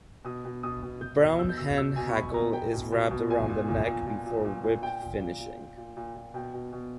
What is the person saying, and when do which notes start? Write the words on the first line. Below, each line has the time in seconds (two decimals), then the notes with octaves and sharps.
A brown hen hackle is wrapped around the neck before whip finishing.
0.25 B2 D#6
0.45 B2
0.63 B2 D#6
0.83 B2
1.01 B2 G6
1.20 B2
1.39 B2 E6
1.49 G6
1.57 B2 E6
1.78 B2 E6
1.96 B2 G#5
2.09 C#6
2.15 B2 B5
2.34 B2 A#5
2.53 B2 G5
2.73 B2
2.92 B2
3.11 B2
3.30 A#2 G#5
3.49 A#2
3.68 A#2
3.87 A#2
4.07 A#2
4.26 A#2
4.45 A#2
4.64 A#2
4.83 A#2 G5
5.02 A#2
5.20 A#2
5.40 A#2
5.58 A#2
5.77 A#2
5.97 A#2
6.15 A#2
6.34 B2 G5
6.54 B2
6.73 B2